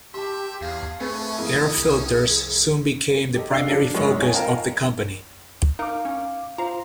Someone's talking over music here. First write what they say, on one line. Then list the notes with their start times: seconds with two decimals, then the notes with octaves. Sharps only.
Air filters soon became the primary focus of the company.
0.14 G4 E5 A5 C6
0.61 E2 G#4 F5
1.00 A3 C4 C#4 G#4 B4 C#6
1.38 F2 A#3 E4 G#4
1.78 C2
3.35 G4 A4 D#5
3.50 D4 D5 F5 E6 C7 G7
3.69 F3 F#3 D4 A4
3.94 F#2 G#3 A#4 C#6
4.18 C4 D#4 F4 C#5 G#5
4.34 A#4 D#5 F5 G5 A5
5.79 D#4 A#4 F5 D6
6.05 C#4
6.58 F4 C5 F5 A#5